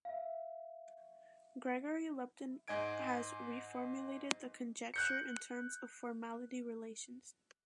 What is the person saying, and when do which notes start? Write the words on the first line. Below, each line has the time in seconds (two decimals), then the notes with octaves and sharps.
Gregory Lupton has reformulated the conjecture in terms of formality relations.
0.05 E5 F5
2.68 G#2 D#5 G#5 G#6 D7
4.94 F#6 G6 C#7